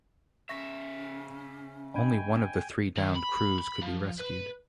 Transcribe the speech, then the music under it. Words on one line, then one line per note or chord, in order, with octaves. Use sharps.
Only one of the three downed crews could be rescued.
C#3 C#4 E5 C#6 A#6
D4 D#5 G5 G#5 B5
D#3
B5
B5
F3
B4